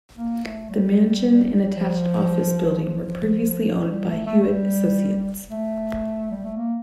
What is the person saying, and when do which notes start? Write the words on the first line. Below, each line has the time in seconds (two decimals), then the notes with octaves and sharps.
The mansion and attached office building were previously owned by Hewitt Associates.
0.17 A#3
0.44 A3
0.70 G3
1.77 F3
2.84 F3
3.91 G3
4.08 A3
4.26 A3
4.43 G3
5.50 A3
6.31 G3
6.44 A3
6.57 A#3